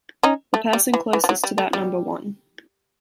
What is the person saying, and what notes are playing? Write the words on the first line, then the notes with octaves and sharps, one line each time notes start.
The person closest to that number won.
C#4 D#4
A3
G3
E3
E3
F3
F#3
G3
A3
G3